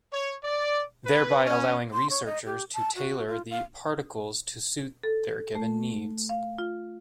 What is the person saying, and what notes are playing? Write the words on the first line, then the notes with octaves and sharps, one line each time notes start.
Thereby allowing researchers to tailor the particles to suit their given needs.
C#5
D5
B4
C#4
C6
C#5
D#5
G4
A5
F#4
F4
F5
A4
A3
F5
F4